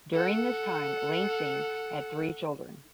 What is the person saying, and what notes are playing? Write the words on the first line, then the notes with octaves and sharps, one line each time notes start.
During this time Lansing had three children.
A4 F#5